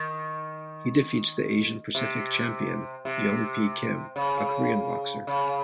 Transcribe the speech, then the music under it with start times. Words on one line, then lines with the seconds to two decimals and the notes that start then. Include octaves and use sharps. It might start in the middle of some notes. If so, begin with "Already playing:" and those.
He defeats the Asian-Pacific Champion, Yongpi Kim, a Korean boxer.
Already playing: D#3
1.95 C3
3.05 C3
4.16 C#3
5.27 C#3